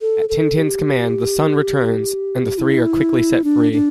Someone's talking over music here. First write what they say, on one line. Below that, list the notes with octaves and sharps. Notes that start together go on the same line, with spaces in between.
At Tintin's command, the Sun returns, and the three are quickly set free.
A4
A4
G4
E4
D4
D4